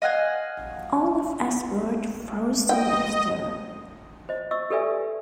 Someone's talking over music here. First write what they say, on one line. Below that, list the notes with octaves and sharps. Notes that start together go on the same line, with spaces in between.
All of Asgard falls soon after.
D#5 F5 F#5 G#5
D#5 G5
C5 D#5
D#5 C#6 E6
G4 A4 B4 D5 E5 G#5